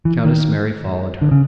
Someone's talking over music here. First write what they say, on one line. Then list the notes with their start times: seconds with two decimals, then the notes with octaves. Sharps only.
Countess Mary followed her.
0.05 E3
0.25 D#3
1.22 D3
1.31 C#3